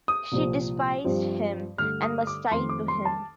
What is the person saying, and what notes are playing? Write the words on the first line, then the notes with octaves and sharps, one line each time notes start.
She despised him, and was tied to him.
D#6
C2 A#2 F3 C4
G2 F3 C4
G2 D3 A3 F6
D#6
D6
F2 D#3 A3 C4 C6
D6
C6
A5